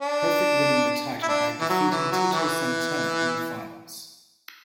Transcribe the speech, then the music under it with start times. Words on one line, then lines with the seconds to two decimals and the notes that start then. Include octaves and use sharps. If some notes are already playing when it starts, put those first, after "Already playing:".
Perfect winning the title by defeating Tito Santana in the finals.
0.02 D4
1.22 E4
1.28 D4
1.60 E3
1.69 F#3
1.91 E3
2.12 F#3
2.33 E3